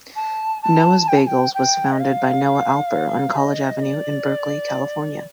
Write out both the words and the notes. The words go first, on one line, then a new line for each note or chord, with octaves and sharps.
Noah's Bagels was founded by Noah Alper on College Avenue in Berkeley, California.
A5
A5
G5
A5
G5
G5
D#5
F5
D#5
D5